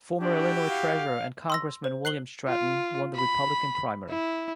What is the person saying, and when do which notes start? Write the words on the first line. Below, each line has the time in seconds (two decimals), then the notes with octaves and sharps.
Former Illinois Treasurer and congressman William Stratton won the Republican primary.
0.20 D4 E4 F#4 G4
0.70 F5
1.50 C6 E6 A#6
1.84 C5
2.05 F#6 C7 F#7 G7
2.47 F4
3.15 B5
4.09 E4